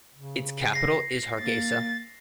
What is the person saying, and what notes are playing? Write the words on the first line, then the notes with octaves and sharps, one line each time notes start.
Its capital is Hargeisa.
C#3
A#6 C7
A#3 A6